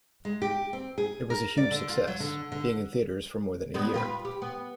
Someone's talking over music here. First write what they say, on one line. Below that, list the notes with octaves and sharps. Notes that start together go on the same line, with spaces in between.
It was a huge success, being in theaters for more than a year.
G#3
G4
C4
G#4
A#4
D5
D3
F4
F#3
D3
D3
G3 G#3 B3
F4 G4 B4
G4
B3